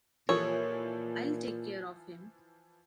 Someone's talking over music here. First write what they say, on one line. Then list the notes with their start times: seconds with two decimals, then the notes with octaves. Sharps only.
I'll take care of him.
0.29 A#2 E3 F3 G4 A4 A#4 C#5